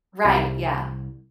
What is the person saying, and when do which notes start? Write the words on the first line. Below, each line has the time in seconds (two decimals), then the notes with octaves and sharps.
Right, yeah.
0.25 C2